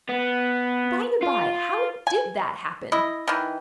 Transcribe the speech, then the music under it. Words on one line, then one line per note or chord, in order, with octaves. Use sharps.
By the by, how did that happen?
B3
F4
G#5
E4 D#5
D#3 E3